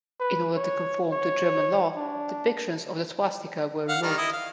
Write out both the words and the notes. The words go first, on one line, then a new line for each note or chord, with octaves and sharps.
In order to conform to German law, depictions of the swastika were removed.
B4
C#5
C#5
D4
F5 F#5
D#3 G3 F6
E4 D#5
F5